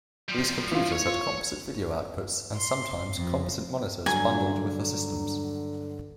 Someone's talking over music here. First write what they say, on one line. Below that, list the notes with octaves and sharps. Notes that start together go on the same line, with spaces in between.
These computers had composite video outputs, and sometimes composite monitors bundled with the systems.
F3 G3
E3 F4
C#5
F4
C6
F2
G2 D3 F#3 G#5